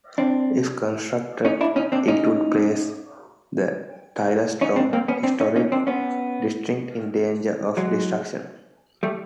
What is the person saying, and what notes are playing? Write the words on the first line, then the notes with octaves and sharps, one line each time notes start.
If constructed, it would place the Taylorstown Historic District in danger of destruction.
C4 D4
C#4 D#4
D4 E4
C#4 D#4
C4 D4
C#4 D#4
C#4 D#4
C4 D4
A#3 C4
B3 C#4
C4 D4
C#4 D#4
C#4 D#4
C4 D4
B3 C#4
F#3 G#3
G3 A3